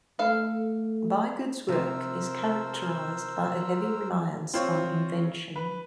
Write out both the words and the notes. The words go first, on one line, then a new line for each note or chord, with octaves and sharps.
Bigood's work is characterized by a heavy reliance on invention.
A3 A4 F5
C3 F3 A#4 C5 E6
C4 F4 C5 C#5
B4